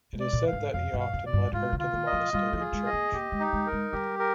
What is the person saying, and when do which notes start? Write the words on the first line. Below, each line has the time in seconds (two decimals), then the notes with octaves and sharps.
It is said that he often led her to the monastery church.
0.13 G#3
0.20 D5
0.33 A#2
0.47 F5
0.53 G#2
0.73 F2 F5
0.94 G2
1.00 F5
1.13 F2
1.26 D5
1.33 G2
1.53 G#2 F4
1.73 D3
1.79 F4
1.93 D#3
2.06 D#5
2.13 F3
2.33 G3 F4
2.53 F3
2.60 G#4
2.73 G#3
2.86 D#5
2.93 A#3
3.12 A#3 G4
3.32 G#3
3.40 D#4
3.53 G#3
3.66 A#4
3.72 G#3
3.92 G3 G4
4.19 A#4